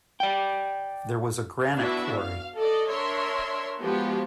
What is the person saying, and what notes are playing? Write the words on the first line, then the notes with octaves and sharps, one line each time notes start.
There was a granite quarry.
D5 G5
B3 D4 E4 F#4 B4 E5
F5
A4 D5 D#5
D4 A#4 C#5 E5 C6
F3 G#3 B3 F#4 G4